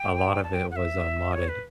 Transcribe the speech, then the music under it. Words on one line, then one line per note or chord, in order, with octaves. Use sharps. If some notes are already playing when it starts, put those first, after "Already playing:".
a lot of it was a modded
Already playing: G5
A5
G5
F#5
E5
C#5
B4